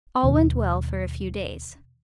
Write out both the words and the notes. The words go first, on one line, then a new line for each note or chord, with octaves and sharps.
All went well for a few days.
D#2 B2